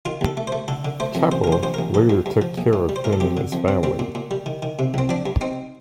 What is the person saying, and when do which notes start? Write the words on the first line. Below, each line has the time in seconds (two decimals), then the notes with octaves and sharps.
Keppel later took care of him and his family.
0.05 D#3 F4
0.21 D#2 A4
0.37 A3
0.47 A3 C5
0.68 D3 A4
0.85 D3
1.00 A3 C5
1.15 F2
1.32 A1 C5
1.44 A#4
1.47 A1 C5
1.63 A1 C5
1.74 A1 A#4
1.94 F3 A4
2.10 G2
2.26 G2
2.42 F3
2.58 A#1
2.73 A2
2.89 G3
2.96 C5
3.04 A2 A#4
3.13 A4
3.20 F2 G4
3.37 D3
3.52 F2
3.68 C4
3.83 G3 C4
3.99 A#2
4.15 A#2
4.31 G3
4.46 D#3
4.62 D#3
4.79 C3
4.94 C2 C4
5.09 F3 D4
5.26 G2
5.41 C4 D#4